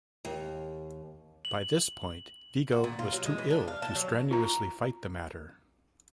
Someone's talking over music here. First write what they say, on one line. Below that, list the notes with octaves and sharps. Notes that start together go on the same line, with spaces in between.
By this point, Vigo was too ill to strenuously fight the matter.
D#2
F#7
F#4
A#2
F4
F#3
G#3
E3
D4
F5
A5
F#3
F4 A#5